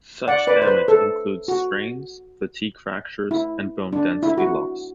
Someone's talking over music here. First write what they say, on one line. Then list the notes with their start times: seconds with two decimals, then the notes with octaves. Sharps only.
Such damage includes strains, fatigue fractures, and bone density loss.
0.28 D5 F#5
0.47 B4 D5
0.62 C5
0.67 B4
0.88 A4
1.48 F#4
3.31 E4
3.93 D4
4.23 E4
4.38 F#4